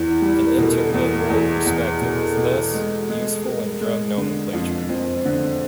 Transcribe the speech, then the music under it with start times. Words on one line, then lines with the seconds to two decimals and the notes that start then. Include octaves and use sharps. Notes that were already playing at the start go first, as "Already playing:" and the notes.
An interlingual perspective is thus useful in drug nomenclature.
Already playing: E2 E4
0.22 G3
0.46 A#4
0.58 B2 A4
0.94 E2
1.03 A#4
1.16 A4
1.30 E2 G#4
1.66 E2
2.01 B2 A#4
2.11 A4
2.21 G#4
2.32 A4
2.37 B2
2.74 G#3
3.09 G#3
3.45 G#3 A#4
3.81 G#3
4.18 D3
4.53 F2
4.89 F2 C5
5.25 D3